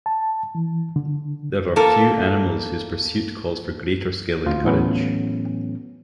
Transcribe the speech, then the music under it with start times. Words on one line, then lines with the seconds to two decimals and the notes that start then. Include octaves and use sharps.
There are few animals whose pursuit calls for greater skill and courage.
0.06 A5
0.55 E3
0.96 D3
1.76 A#3 F4 A4
4.46 D2 F4
4.64 A2 E3 F#3 A3 B3 C#4